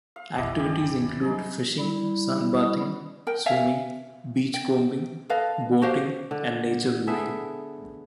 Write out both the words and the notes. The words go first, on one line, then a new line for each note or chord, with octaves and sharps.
Activities include fishing, sunbathing, swimming, beachcombing, boating and nature viewing.
F5
F1 A#1 B2 E4 D#5 D6
G1 D#2 D#3 G4 G#5
D5 G5 G#5
F#3 G3 D#4 G#4
G3 E4
A#4 G5
E5 F5 G#5
G5
A4 B4 D#5 F5
F#4 G4 C5 F5
D3
B3 G#4 A4 E5